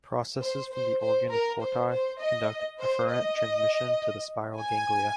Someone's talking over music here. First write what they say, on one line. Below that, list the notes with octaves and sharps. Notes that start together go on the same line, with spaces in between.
Processes from the organ of Corti conduct afferent transmission to the spiral ganglia.
C5
C5
C5
A#4
C5
C5
D#5
C5
D#5
G#5